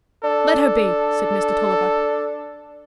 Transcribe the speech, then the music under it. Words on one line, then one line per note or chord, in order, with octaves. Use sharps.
"Let her be," said Mr. Tulliver.
D4 A4